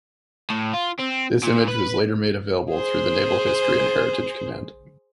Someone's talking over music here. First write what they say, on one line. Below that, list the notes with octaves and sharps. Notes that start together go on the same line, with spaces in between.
This image was later made available through the Naval History and Heritage Command.
A2
F4
C4
A#2
B4
G#4 C5